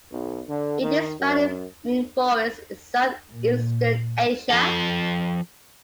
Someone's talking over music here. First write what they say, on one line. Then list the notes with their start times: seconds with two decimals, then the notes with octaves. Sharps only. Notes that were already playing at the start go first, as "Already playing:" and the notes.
It is found in forests in south-eastern Asia.
0.12 B1
0.49 D3
0.80 D#3
1.20 F#2
3.30 A#2
4.50 F3 A4